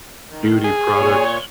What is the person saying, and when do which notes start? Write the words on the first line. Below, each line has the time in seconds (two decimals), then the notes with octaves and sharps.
beauty products,
0.30 D#3
0.64 G#4
0.97 A#2 C#5